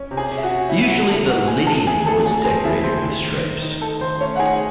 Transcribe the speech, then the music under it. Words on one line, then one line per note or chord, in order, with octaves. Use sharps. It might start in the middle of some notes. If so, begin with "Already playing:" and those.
Usually, the "lydion" was decorated with stripes.
Already playing: C#4
C3
G#4 G#5
C#4
E5
F#4 F#5
C#4
E4 E5
E5
C3 F#4 F#5
C3 A4 A5
F#3 F#4 F#5
C4 G#4 G#5
A2 A4 A5
A2 G#4 G#5
A2 A4 A5
F#3 G#4 G#5
C4 G#4 G#5
C4 E4 E5
A2 C5
D#3
D#3
D#3
D#4
D#4 A4
D#3 C5
A3 C#4 C#5
F#5
D#4 G#4 G#5